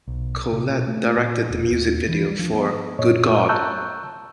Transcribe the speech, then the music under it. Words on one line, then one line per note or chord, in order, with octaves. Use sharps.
Collette directed the music video for "Good God".
B1
C3
B2
A3
A#2
E1
D#2
E3
G3
F3
B3
F#2 A#2 C#5 D#5
A5 A#5 C#6 E6 F#6 G6